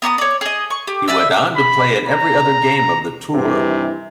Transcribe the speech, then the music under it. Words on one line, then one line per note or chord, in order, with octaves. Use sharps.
He went on to play in every other game of the tour.
B3 A#4 C#6 D#6
C#5 D5
G#4 D#5
C#6
G4
B4 D5 E5 E6
B5
A#5
A#5
G2 C3 D#3 E3